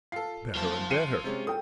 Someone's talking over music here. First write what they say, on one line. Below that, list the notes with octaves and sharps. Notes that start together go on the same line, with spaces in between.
Better and better.
F4 A4 C7
F#1 F4 A5
C7 C#7 D#7
C3 G#3 C#4
A4 G5 D#6